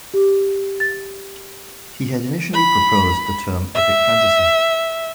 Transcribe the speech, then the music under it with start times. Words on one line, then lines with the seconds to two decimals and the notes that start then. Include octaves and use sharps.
He had initially proposed the term "epic fantasy".
0.14 G4
0.80 A6
2.54 B5
3.74 E5